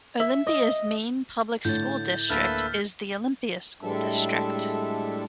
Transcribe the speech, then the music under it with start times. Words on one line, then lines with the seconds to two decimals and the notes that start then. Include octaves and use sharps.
Olympia's main public school district is the Olympia School District.
0.20 E5
0.47 D#5
1.65 A2 D3 C#5 G6 A6
2.30 D2 A#3 A4 B4 E5 F6 A6 B6
3.82 A2 G3 G#3 D4 A4 E5